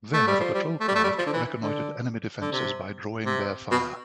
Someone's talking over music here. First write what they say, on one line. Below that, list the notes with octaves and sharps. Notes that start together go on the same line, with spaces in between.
There, the patrol craft reconnoitered enemy defenses by drawing their fire.
A3
G3
F3
G3
A3
G3
A3
G3
F3
D3
E3
D3
D3
C3
C3
B2